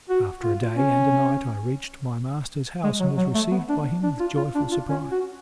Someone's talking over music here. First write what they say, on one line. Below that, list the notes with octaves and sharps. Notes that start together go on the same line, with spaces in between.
After a day and a night I reached my master's house, and was received by him with joyful surprise.
F#4
F4
C#4
G#3
F#3
F#3
A3
B3
D4
D4
F4
F4
D4
F4
C#4
F#4